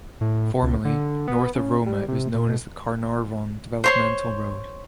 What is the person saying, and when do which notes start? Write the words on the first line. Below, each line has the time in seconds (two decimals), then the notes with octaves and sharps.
Formerly, north of Roma it was known as the Carnarvon Developmental Road.
0.21 A2
0.63 C#2
0.85 D3
1.28 B3
1.55 C#3
1.86 G3
2.08 C3
2.34 A#2
2.49 B2
3.84 C5 C#5 C6